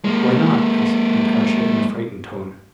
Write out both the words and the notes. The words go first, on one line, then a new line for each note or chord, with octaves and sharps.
"Why not?" asked Natasha in a frightened tone.
G#3 A#3